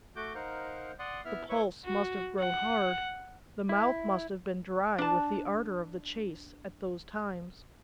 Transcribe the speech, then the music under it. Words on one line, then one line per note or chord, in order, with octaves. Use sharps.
The pulse must have grown hard, the mouth must have been dry with the ardor of the chase, at those times.
A3 F#4 D6 G6
D#4 A#4 C5 F5 F#5
D5 F#5 C6 D#6
B3 E4 E5 F6
E4 B4 C#5 E5 C#6
F#4
F#5
E4
D4 A5